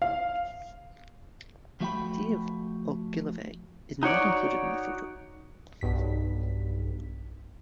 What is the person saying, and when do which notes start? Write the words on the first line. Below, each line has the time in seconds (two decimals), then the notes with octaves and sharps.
Dave Ogilvie is not included in the photo.
0.02 F5
1.80 F3 A3 F#4 E5 G5 B5
4.03 D#4 F#4 C#5 D5
5.81 B1 G2 B6